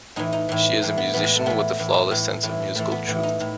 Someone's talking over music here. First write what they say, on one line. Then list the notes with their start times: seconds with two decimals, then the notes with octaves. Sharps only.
She is a musician with a flawless sense of musical truth.
0.16 A2 E3 D#4
0.33 D#4
0.49 A2 E3
0.82 A2 E3
0.98 B3
1.13 A2 E3 B3
1.24 G#3
1.35 A3
1.46 A2 E3 B3
1.78 A2 E3
2.11 A2 E3
2.43 A2 E3
2.75 A2 E3 A3
2.92 B3
3.08 A2 E3
3.23 D#4
3.40 A2